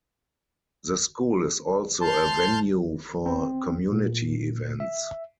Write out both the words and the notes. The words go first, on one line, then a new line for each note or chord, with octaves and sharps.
The school is also a venue for community events.
A5 C6 F6 G6
C4
A#2
E5